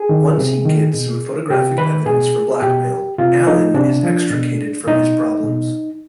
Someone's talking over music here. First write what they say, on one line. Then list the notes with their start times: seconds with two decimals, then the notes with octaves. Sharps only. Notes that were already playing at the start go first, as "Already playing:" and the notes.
Once he gets some photographic evidence for blackmail, Alan is extricated from his problems.
Already playing: G#4
0.09 D#3
0.38 C3
0.66 D#3
0.94 B2
1.50 C3 G4
1.77 D#3 B4
2.06 B2 G#4
2.62 B2 G4
3.18 C3 F4
3.46 F3 D#4
3.75 C3 D4
4.03 F3
4.30 B2
4.87 B2 D#4
5.43 B2